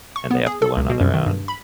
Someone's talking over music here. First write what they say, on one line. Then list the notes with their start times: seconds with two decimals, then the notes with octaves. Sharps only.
and they have to learn on their own.
0.16 C#6
0.31 B3
0.46 G#4
0.62 A4
0.77 C#2
0.90 B2
1.01 F#2
1.14 D#3
1.27 G2
1.48 B5